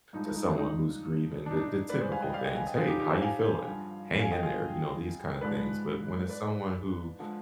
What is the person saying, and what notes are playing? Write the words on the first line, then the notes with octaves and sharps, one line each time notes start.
to someone who's grieving, the the typical things. "Hey, how ya feeling? Hang in there." You know, these kinda things. But when it's someone who,
G2 F3 G#3 D#4
D#4
D#4
D4
D#4
D4
D#4
D4
D#4
G#2 G3 B4 D5
G#4 C5
F5 G#5
D#5 G5
D5 F5
D#5 G5
F5 G#5
D#5 G5
F4 G#4
D#4 G4
D#4 G4
G#4 C5
F5 G#5
G2 D3 F3
F5 G#5
D#5 G5
F4 G#4
G#2 F3 G#3 B4 D5
B4 D5
D3 F3 G#3